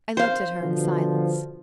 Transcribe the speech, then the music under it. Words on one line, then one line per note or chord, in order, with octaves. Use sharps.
I looked at her in silence.
C5 F5
B2 D3 F3